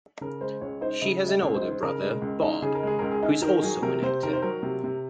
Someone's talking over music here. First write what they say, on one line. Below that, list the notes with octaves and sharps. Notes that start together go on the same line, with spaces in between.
She has an older brother, Bob, who is also an actor.
C#3 A#4
G#3 C5
C#2 C#5
D#4 C5
C#3 D#5
G#3
D#5
C#2
C5
D#4
C5
C#3 A#4
G#3
C#2
D#4
C#3 G#4
A#4
G#3 G#4
C#2 A#4
G#4
D#4
D#3 A#4
F#3 G#4
C3 A#4
C3 C5
D#3 A#4
C5
F#3 A#4
C3
C3